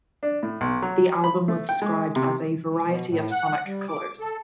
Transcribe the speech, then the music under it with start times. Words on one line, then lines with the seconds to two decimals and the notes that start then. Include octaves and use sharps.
The album was described as a "variety of sonic colors".
0.23 D4
0.43 A2
0.61 B1
0.82 F#3
1.24 B5
1.48 A3
1.69 G5
1.82 G#3
2.16 C3
2.69 E3
2.86 B2
3.10 A2
3.31 F#5
3.66 G3
3.88 D6
4.20 A4